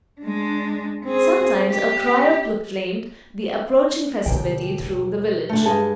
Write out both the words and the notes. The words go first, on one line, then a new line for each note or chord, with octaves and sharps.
Sometimes a crier proclaimed the approaching festivity through the village.
G#3 D4
C4 G#4
G4
D#2 B2 D3 G5
B2
D3 A3
G2 G#3 A5